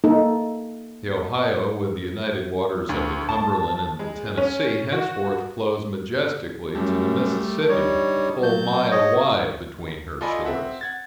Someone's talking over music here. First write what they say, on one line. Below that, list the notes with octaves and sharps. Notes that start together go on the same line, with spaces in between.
The Ohio, with the united waters of the Cumberland and the Tennessee, henceforth flows majestically to the Mississippi, a full mile wide between her shores.
A#3 D#4 A4
D2
A5
G#3
C#4
F#4
F#2 G3 A3
G3 D4 D#4 C#5
F#3 A5 G6
C#5 D#5
F4 A4 D5 D#5 G#5 B5
C4 E5 F#5
F#5 G#6 A6